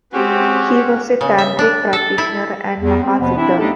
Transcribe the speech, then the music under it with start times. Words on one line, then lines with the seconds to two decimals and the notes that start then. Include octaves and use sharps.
He was a tantric practitioner and mahasiddha.
0.13 G#3 C4 C#4 F#4 G4
1.21 C#3
1.38 E5
1.59 D4
1.93 A4
2.18 E4
2.81 E2
3.02 C4
3.20 D#2 B2 F3 B3
3.36 C4 D4 E4
3.59 A3 B3 D4 D#4 G4 A4